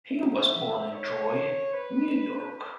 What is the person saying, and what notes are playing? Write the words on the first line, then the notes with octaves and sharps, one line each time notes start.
He was born in Troy, New York.
E5
C#5
B4